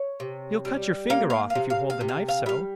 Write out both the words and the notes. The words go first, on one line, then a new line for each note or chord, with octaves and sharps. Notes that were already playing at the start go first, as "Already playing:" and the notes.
"You'll cut your finger off, if you hold the knife so!"
Already playing: C#5
C3
G3
A#3 F5
F5
F5
C3
F5
F5
C3
F5
F5
G3 F5